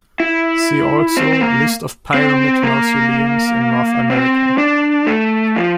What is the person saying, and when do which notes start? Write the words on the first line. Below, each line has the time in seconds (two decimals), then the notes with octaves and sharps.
See also List of pyramid mausoleums in North America.
0.20 E4
1.17 C4
1.33 C4
1.42 A#3
2.14 C4
2.63 A#3
4.10 C4
4.58 D4
5.07 A3
5.56 F3